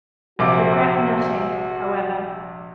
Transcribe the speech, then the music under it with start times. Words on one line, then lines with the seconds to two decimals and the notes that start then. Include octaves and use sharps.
Regret nothing, however.
0.39 A#1 C3 F#4 D6